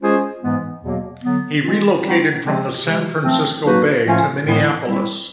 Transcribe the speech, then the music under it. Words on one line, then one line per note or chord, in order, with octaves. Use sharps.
He relocated from the San Francisco Bay to Minneapolis.
G#3 C#4 F4 G#4 C5
G#2 E3 G#3 B3
E2 B2 F#3 A#3
D3 F#3 B3
E3 G#3 C4 F4
G3 C4 D#4 F#4
C3 F3 G#3 C4
C3 E3 G#3
F3 A3 C4
F#3 A#3 D#4 F#4 B4
A2 F3 A3 C#4 F4
A2 E3 G#3 B3 E4
G3 C4 E4